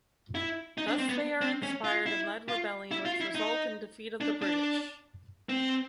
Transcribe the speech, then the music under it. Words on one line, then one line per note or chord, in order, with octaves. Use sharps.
Thus they are inspired and led rebellion which result in defeat of the British.
E4
D#4
D4
C4
B3
C4
C#4
F4
E4
F4
E4
F4
E4
D#4
D4
D4
C4